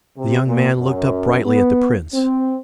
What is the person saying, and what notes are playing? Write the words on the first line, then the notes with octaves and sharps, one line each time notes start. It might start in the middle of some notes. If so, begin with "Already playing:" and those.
The young man looked up brightly at the Prince.
C3
A#2
F#2
B3
C4